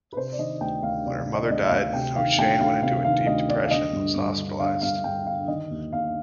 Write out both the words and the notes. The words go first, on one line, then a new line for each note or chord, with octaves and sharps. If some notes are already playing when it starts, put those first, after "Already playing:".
When her mother died O'Shane went into a deep depression and was hospitalised.
B4
C3 C5
D5
D#3 D#5
D2 G5
D2 F5
C3 D5
D#3
D#5
D5
D2 D#5
F5
D2
C3 G5
D#3 F5
D2 G5
D2 F5
C3 F5
D#3 F5
D2 D#5
D2 D5
F5
D3 D#5
G2
G2
D3
D3 F5
G2 F5
G2 G5
D3 F5
D#3 D#5
D#2
D#2 F5